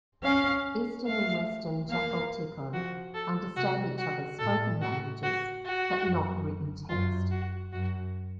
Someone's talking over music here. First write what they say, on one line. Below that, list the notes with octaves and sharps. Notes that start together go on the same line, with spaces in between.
Eastern and Western Jakalteko understand each other's spoken languages, but not written text.
C#4 F5
A3 F5
A#3 F5
F3 F#4
A4
C3 F#4
F#4
A2 A4
F#4
F#4
F#4
F#2
F#2 F4
F#4
F#2 F#4